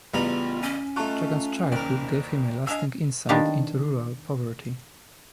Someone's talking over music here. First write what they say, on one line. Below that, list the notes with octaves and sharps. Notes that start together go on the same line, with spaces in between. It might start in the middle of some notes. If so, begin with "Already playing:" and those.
Jagan's childhood gave him a lasting insight into rural poverty.
A1 C#3 G3 B3 F4 A#5 B5
C#4
A3 D#4 F4 A5 C#6 F#6
F#1 D#2 A#4 D5
D4 D#5 F5 G#5 E6
D#3 B3 D4 G4 F5